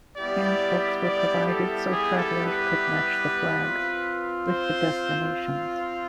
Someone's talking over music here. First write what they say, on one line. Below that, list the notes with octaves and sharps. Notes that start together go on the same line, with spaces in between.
Handbooks were provided so travelers could match the flags with the destinations.
G3 B3 E4 G4 D5
D5
A4
G#4
A4
B4
C4 F4
C5